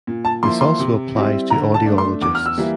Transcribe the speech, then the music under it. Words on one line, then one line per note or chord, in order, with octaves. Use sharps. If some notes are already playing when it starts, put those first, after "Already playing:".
This also applies to Audiologists.
A#2
A5
F3 A#3 E4 C6
C6
C3
G3 C4 E4
D3 A#5
A5
A3 D4
C6
E2 D6
F6
E6
E3 G3 A#3 E4